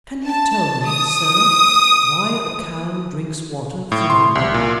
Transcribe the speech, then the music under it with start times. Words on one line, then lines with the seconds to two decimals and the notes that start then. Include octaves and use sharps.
"Can you tell me, sir, why a cow drinks water from a brook?"
0.24 A5
0.86 D#6
3.92 A2
4.10 C6
4.35 C2
4.54 A#2